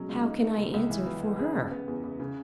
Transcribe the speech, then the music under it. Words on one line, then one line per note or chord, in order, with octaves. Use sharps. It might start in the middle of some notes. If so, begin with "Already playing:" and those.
How can I answer for her?
Already playing: B2 F#3 G#3 C#4
C#2
D#4
D#4
C#2
C#2
E3
B3
E3
G#4
C#3
B3
E2
E2
C#3